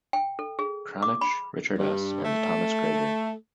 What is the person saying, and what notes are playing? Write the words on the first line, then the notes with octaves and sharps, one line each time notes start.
Krannich, Richard S, and Thomas Greider.
G5
A4
G#4
D6
B5
G2
A3